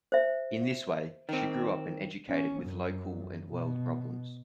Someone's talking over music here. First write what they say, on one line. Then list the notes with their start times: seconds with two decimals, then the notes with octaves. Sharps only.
In this way, she grew up and educated with local and world problems.
0.12 C5 E5
1.29 D#3 C4
2.30 C#4
2.64 F#2
3.51 B2